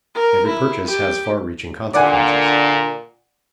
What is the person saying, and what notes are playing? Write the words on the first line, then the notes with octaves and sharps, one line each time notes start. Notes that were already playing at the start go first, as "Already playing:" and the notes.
Every purchase has far-reaching consequences.
A#4
E4
G4
A#2 D3 D5 F#5 G#5